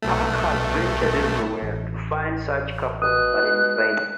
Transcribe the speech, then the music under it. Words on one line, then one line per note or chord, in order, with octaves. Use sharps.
Puck has ventured everywhere to find such couples, but in vain.
B1 A3
A1
B2 D#6 F#6